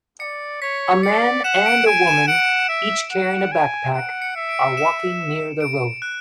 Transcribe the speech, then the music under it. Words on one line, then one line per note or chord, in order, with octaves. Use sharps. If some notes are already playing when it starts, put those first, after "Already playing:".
A man and a woman, each carrying a backpack, are walking near the road.
D5 C#7
C#5 B6
D5 C#7
F#5 E7
D7
G#5 D7
E7
F#5 D7
E5
F#5
G#5
F#5 D7
C#7
E5
D7
E7
D7
F#6